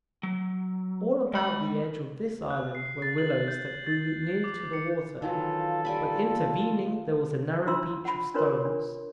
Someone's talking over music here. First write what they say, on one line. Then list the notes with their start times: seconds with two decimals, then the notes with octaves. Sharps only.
All about the edge of this island were willows that grew nearly to the water, but intervening there was a narrow beach of stones.
0.23 F#3
1.33 G#3 B5
2.50 F#6
2.75 C7
3.02 A6
3.18 F#7
3.48 G6
3.86 A6
4.44 D6
4.73 C#7
5.22 D#3 E3 F#3 F4 A4
5.85 G3 F4 G#5 B5
7.67 D4 F4 F5 A#5 C6 E6
8.05 F#5 B5
8.34 D4 F4 A#4 B4 C#5 C6
8.65 D4